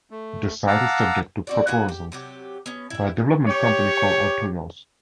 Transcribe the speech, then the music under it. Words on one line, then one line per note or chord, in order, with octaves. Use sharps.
The site is subject to proposals by a development company called Orthios.
A3
F5 F#5 A5 A#5 D6 E6
C4 F#4 D5
A#2 B3 F#4 G#5
G4
C3 F#3 G4
B3 C#4
E4 E5
G4 C#5